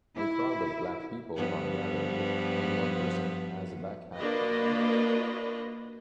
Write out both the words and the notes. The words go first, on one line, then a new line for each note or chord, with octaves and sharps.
A crowd of black people are gathered and one person has a backpack on.
E4
G2 F3 B3
A#3 D4 F4 F#4 B4 D#5